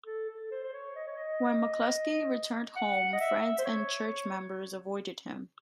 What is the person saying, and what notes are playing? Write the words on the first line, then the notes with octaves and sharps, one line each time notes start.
When McCluskey returned home, friends and church members avoided him.
A4
A4
C5
C5
C#5
D#5
C#5
D#5
F#5
D#5
E5
C5
C#5